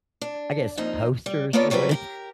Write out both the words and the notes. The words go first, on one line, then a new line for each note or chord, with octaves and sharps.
I guess, posters or whatever,
D4
F2 A#3 D#4
G3
A#3 B3 F4 A4 C#5 D5
F2 F#3 G3 C4 B4
G4 A#4